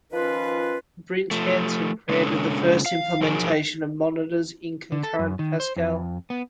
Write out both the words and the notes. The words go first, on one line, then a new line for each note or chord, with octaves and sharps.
Brinch Hansen created the first implementation of monitors, in Concurrent Pascal.
D#3 F3 C#4 F4 B4
F3 A3
C#3 G#3 A#3 C#4 D4 A4
F5
F3 F#3 D#4 G#4 A#4
D3
A4
F#2
D#3
C5
F2
B3